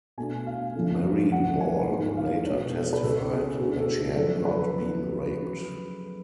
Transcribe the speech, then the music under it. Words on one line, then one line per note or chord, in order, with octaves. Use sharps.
Mary Ball later testified that she had not been raped.
B2 A3 D4 G#5
F5
F2 D3 F3 A3 C#4
F#2 F3 A3 F#5
G#5
G#2 F3 A3
F5
B2 G#3 D4 C#5
A4
B4
C#2 B2 G#3 C#4 A4
G#4
B2 A3 D4 F#4
A4
G#4
F#2 C#3 F3 A4
B4